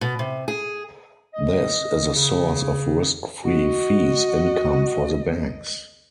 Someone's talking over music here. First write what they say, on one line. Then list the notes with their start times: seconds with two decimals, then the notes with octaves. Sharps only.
This is a source of risk free fees income for the banks.
0.01 B2
0.19 C3
0.48 G#4
1.34 D#5
2.14 C#3
3.44 F#4 D#5